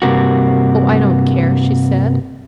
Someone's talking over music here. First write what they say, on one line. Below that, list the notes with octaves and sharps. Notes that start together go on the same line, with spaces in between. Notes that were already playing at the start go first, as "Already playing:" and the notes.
"Oh, I don't care!" she said.
G2 C3 A#3 F#4